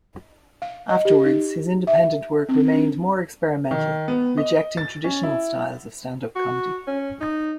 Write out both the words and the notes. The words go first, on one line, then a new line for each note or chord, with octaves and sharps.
Afterwards, his independent work remained more experimental, rejecting traditional styles of stand-up comedy.
F5
D#5
G4
D#4
E5
C4
D4
D#3
B3
D#5
A6
C#4
E4
F#4
C#4
D#4